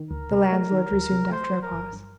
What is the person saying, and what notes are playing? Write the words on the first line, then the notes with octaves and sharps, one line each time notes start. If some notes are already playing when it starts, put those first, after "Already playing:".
The landlord resumed after a pause.
Already playing: D#3
D2 A#4
C3
A3
D#3
D2
C3
A3 C5
F#3
A#4
G1
G2